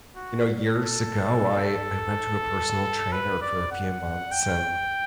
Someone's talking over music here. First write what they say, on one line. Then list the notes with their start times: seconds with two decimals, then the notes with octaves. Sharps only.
you know, years ago, I I went to a personal trainer for a few months and
0.16 F#4
0.75 A4
3.12 B4
3.42 D5
3.72 F#5
4.32 G5